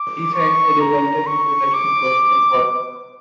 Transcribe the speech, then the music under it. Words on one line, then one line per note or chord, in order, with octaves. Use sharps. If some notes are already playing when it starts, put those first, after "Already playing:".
He sang for the London International Gospel Choir.
Already playing: D6
C#6
A#5
C#6
D6